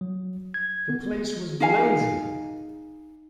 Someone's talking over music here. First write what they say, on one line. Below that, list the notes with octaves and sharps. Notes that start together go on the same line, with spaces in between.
The place was blazing.
F#3
G#6
B3
D#4 G#4 F5 G#5